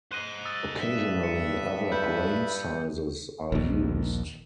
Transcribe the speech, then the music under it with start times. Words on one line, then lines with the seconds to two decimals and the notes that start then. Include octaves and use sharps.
Occasionally other grain sizes are used.
0.12 C5 D#5 F#6 D#7
0.45 D#6 E6 A6
0.80 G2 E5
1.24 C#7 D#7
1.92 B4 G6
3.52 A#1 D#2